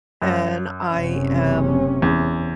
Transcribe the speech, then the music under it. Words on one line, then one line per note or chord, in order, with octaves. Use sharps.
and I am
F#2
F#1 C3 C#4
E2